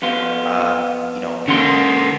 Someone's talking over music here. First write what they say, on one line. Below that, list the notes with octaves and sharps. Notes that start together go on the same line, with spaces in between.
um, you know,
F2 B3 F4
D3 A#3 C#4 F#5 C6